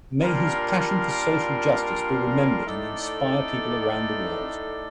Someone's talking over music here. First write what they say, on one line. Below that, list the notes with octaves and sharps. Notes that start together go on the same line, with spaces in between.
May his passion for social justice be remembered and inspire people around the world.
A#2 G3 D4 F4 A#4
A2 A3 D#4 A4 D5